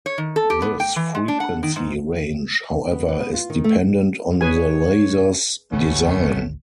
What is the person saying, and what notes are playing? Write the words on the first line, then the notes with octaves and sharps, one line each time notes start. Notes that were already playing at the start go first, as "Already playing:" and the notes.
This frequency range however is dependent on the laser's design.
C#5
D#3
A4
G4
B3
G5
E3
G#3
D4
F#5
D#3
G#2
B3
B4
B3
F4
D#3
A3
G#4 B4 C#5 G#5
G#1 D2 A3 B3 C#4